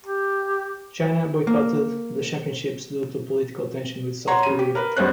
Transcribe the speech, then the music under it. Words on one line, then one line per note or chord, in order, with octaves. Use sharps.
China boycotted the championships due to political tension with South Korea.
G4
A#3
C#5 F#5 A#5 C6
C#3 D#7
G4
A#4 B4
B1 G2 B3 C#4 C5 F#6